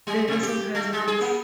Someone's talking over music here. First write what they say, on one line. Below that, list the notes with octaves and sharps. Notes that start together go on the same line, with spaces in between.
The vessel has max.
G3
B2
G4
A3
G#3
G#4
A#3